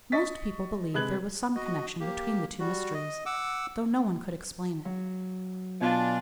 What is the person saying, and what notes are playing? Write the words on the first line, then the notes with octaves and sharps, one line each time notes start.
Most people believed there was some connection between the two mysteries; though no one could explain it.
D#5 C#6 A6 B6
C3 G#3 B4 F#6 G#6 F#7
F#4 D#5
A#3 G4
G3 F#4
D#5
F#5 D6 E6
F#3
B2 D4 F4 G#5